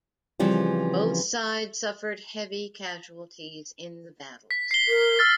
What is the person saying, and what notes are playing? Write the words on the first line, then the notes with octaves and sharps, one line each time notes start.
Both sides suffered heavy casualties in the battles.
C#3 E3 F3 G3 C4
B6
C7 G7
A#4
E6 F6 A6